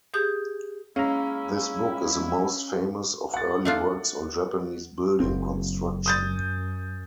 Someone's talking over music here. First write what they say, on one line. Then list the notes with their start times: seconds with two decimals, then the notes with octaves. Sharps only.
This book is the most famous of early works on Japanese building construction.
0.14 G4 G#4 D#6 G6
0.96 G#3 A#3 C#4 E4 G#4 F5 A#5
3.34 F#5 A6
3.65 A3 D4 F4
5.20 F#1 C4
6.06 F#2 D#6 G6 A6